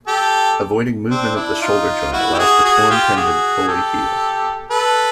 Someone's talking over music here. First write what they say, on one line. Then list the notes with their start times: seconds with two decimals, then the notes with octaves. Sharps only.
Avoiding movement of the shoulder joint allows the torn tendon to fully heal.
0.07 G4 A4
1.10 C4 D4
1.35 D4 E4
1.61 D#4 F4
2.13 E4 F#4
2.34 G4
2.39 F#4 G#4
2.64 F#4 G#4
2.90 F4 G4
3.16 F#4 G#4
3.67 G4 A4
4.71 A4 B4